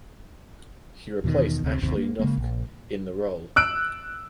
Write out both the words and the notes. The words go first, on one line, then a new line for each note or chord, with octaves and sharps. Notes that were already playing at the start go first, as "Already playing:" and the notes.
He replaced Ashley Noffke in the role.
E2 B2 D3 D#3
D2 C3
G1 D#2 C3
A#3
C#3 G#3 A#3
A#1
E6 F#6 D7